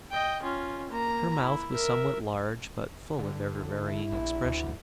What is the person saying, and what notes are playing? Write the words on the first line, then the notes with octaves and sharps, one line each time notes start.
Her mouth was somewhat large, but full of ever-varying expression.
D#5 G5
C#4 F4
A#3 A#5
E4
A#4 E5
G2 D3 G3
F#2 A2
E4
A#1
D2